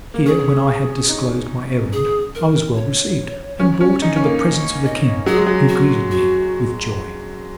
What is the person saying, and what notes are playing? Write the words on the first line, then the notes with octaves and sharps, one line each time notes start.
Here, when I had disclosed my errand, I was well received, and brought into the presence of the king, who greeted me with joy.
A#3
C#4 G#4
D#4
G#4
A#4
C#5
C#4
C#4
D#4
C#4
A#3
D#5
F#3 G#4
G#3
F#3
F#4
F#4